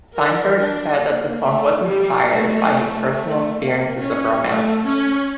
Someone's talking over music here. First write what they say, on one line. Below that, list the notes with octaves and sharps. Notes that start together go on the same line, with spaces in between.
Steinberg said that the song was inspired by his personal experiences of romance.
A#4
D4
A#3
A3
G3
A3
A3
A#3
C#4
A3
C#4